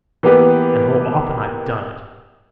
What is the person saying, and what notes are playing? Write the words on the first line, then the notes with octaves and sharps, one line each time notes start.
And how often I've done it!
E3 A#3 B3 G4 B4